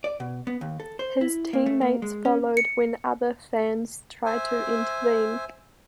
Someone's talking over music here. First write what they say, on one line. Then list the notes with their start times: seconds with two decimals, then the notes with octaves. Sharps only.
His teammates followed when other fans tried to intervene.
0.04 D5
0.20 B2
0.47 B3
0.61 D#2
0.80 A4
0.99 C5
1.21 E4
1.53 A#3
1.66 A3
1.81 A#3
2.02 G#3
2.25 C#4
2.57 C#7
4.26 C5 E5 G#5